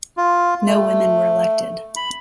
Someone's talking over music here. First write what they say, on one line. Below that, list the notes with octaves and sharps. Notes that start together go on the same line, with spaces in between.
No women were elected.
F4
A3
B5